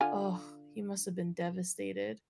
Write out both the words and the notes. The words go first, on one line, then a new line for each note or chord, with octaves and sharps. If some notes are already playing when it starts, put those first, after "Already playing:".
oh, he must have been devastated.
D3 F4 G#5